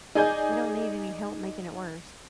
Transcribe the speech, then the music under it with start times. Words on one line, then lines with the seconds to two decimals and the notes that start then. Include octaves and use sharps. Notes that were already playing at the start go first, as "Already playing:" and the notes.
We don't need any help making it worse.
0.15 D#4 G#4 D5 G#5 G6